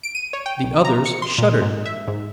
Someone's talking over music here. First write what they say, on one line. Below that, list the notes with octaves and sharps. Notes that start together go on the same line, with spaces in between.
The others shuddered.
D7
D#7
C#5
G5
B1
A#5
C#7
C6
A#2
G#2
E5
G#2